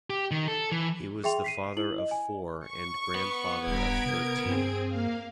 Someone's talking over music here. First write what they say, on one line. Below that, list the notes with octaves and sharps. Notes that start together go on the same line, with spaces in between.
He was the father of four and grandfather of thirteen.
G4
D#3
A4
E3
G#4 E5 G5 C6 F7
B6 C7 D#7
E4 F#7
D#5
G#5
C#6
B3 B4
D#1 G2 A#5 G#6 B6 D7
C3 A#4
G2 C4 G#4
A#3 F5